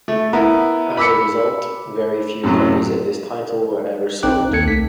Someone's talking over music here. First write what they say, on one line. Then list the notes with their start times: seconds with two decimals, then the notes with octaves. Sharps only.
As a result, very few copies of this title were ever sold.
0.08 A3
0.33 B3 E4 A#4
0.97 B5 D6 E6 B6 C#7
2.43 F#2 A2 C3 F#3
4.23 A#1 C4 D#4 G5 D6 F#6
4.51 D#2 A#3 A4 G#6 C#7
4.65 C2 A3 D#4 B6